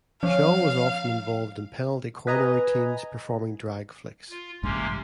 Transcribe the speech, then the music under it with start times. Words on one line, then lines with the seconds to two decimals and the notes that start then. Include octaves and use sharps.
Shaw was often involved in penalty corner routines performing drag flicks.
0.23 F3 C#4 F5
2.27 B4 D#5 G#5 A#5
4.30 F4
4.63 A1 G2 C3 G#3 A#3 C#4 C6